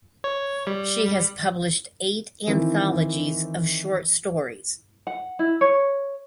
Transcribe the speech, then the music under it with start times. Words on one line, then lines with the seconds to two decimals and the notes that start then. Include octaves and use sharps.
She has published eight anthologies of short stories.
0.24 C#5
0.67 G3
2.47 D#3 E3 C4
5.07 F#5
5.39 E4
5.61 C#5